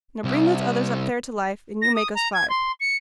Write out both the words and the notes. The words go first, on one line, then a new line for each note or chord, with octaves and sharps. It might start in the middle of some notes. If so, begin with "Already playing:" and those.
Now bring those others up there to life, and you make us five.
C2
A#6
D#6
A#5
G#6
C6
C#7